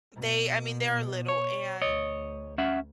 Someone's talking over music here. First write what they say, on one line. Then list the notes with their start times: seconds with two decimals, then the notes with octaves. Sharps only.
they I mean, they're little and
0.15 B2
1.28 C#5
1.82 D2 C#5 D#5
2.58 C#4 E5 F#5